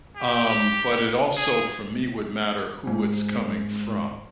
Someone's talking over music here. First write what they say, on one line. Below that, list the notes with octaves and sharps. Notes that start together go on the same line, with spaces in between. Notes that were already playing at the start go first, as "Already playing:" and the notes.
Um, but it also for me would matter who it's coming from.
G4
G#4
G#2